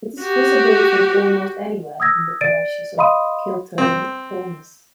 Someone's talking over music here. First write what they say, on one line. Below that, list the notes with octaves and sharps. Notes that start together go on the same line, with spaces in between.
It is visible from almost anywhere in the parishes of Kiltearn and Alness.
F#4 G4
D#6 E6 G#6 A#6
D5 A6 D7 D#7
D#5 F5 B5 C6 D#6 D#7
C4